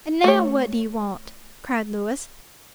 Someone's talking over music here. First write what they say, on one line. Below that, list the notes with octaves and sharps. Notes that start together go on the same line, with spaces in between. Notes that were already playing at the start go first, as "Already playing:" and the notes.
"And now what do you want?" cried Louis.
A3 C#5